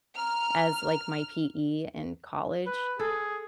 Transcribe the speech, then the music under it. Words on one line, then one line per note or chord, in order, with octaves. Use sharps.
as, like, my PE in college,
A#5 F6
B4
G#4 A4